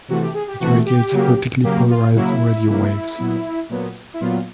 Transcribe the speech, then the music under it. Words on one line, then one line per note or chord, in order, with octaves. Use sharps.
It radiates vertically polarized radio waves.
C3 E3 A3 F#4
G4
G#4
G4
C3 E3 A3 F#4
G4
C#3 F#3 A#3
C#3 F#3 A#3 G4
F4
C#3 F#3 A#3 E4
C#3 F#3 A#3
A#2 F#3 B3
A#2 F#3 B3
E4
A#2 F#3 B3 F4